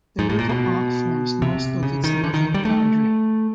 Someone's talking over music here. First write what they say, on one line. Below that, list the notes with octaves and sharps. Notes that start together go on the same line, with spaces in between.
The River Ock forms most of its northern boundary.
G#2
A2
A#2
B2
C3
C#3
D#3
D3
D#3
G3
A3